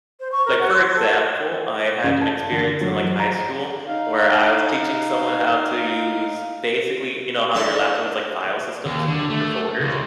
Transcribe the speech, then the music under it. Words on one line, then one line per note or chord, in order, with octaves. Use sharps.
like, for example, I had an experience in, like, high school where I was teaching someone how to use, basically you know how your laptop has like file systems and you your folders,
C5
C#6
A#4
F#5
C6
A4
C#3
A5
D3
F#3
F#3
A#5
D#4 F5
D4 E4 A4 C6 C#6
D#2
D3
A3
C#2